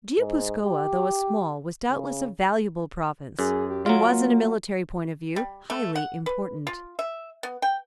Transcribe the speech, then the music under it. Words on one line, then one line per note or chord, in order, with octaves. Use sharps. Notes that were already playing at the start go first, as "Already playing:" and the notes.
Guipuscoa, though a small, was doubtless a valuable province, and was in a military point of view highly important.
G#2
G4
C#3
F#2 G#4
G4
F#3 F4 D7
A#3
G3
A3
F#5
B4
F4
E5
B3
G5